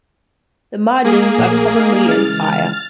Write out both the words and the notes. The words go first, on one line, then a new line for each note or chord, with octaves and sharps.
The margins are commonly entire.
A#3 G#4
A#1 A3 C#5
D#4 F5
C#3 E3 G#3 F6 A6